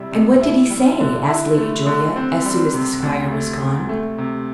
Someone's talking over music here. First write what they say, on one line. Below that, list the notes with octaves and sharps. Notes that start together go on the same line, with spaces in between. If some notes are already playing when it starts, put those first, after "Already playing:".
"And what did he say?" asked Lady Julia, as soon as the squire was gone.
Already playing: C3 G3 E4
C3
E4
G3
D3
E4
A3
D3
C4
G3
C3
D2
A3
C3
A3
C3